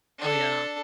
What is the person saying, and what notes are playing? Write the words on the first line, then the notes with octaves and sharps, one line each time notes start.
Oh, yeah.
D4 A4